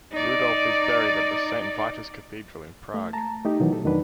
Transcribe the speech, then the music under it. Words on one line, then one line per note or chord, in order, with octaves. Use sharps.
Rudolph is buried at the Saint Vitus Cathedral in Prague.
D#4 D5
A3
A5 A#5
A3 D#4 G4
B2 D#3 E3 F#3
A4
F2 D#3 F#3 D4 B4